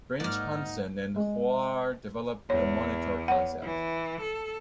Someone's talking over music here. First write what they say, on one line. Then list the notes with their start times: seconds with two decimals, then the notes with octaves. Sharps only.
Brinch Hansen and Hoare developed the monitor concept.
0.20 G#2 A#3 D#4 F#4 D5 F#5 D6 F6
1.16 G#3
2.50 E2 C#5
3.28 C#5 F#5
3.63 E3
4.20 A4